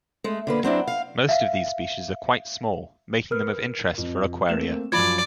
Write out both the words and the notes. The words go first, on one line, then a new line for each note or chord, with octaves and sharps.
Most of these species are quite small, making them of interest for aquaria.
G#3 A3
D3 A#3 B4
F#3 C4 D4 E4
F5
E5 F5
A#4 B4 F6
F2
A3 A#3 C4 E7
F#2 F3 D5 B5 G#6